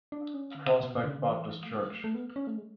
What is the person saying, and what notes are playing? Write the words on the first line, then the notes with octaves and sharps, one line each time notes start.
Prospect Baptist Church.
D4
C#4
D3
C#3
B2
B2
D3
C#3
D3
E3
A3
G#3
F#3
A3
A3
B3
C#4
A3
G#3